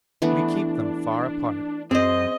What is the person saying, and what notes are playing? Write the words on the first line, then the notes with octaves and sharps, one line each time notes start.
We keep them far apart.
E3 A3 B3 D4
F#2 C4 G#4 C5 D#5